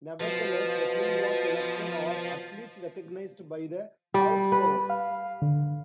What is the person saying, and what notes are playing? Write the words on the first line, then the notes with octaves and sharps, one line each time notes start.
Nevertheless, the king was elected, or at least recognized, by the Haute Cour.
B2 F3
G3
B4
F5
D3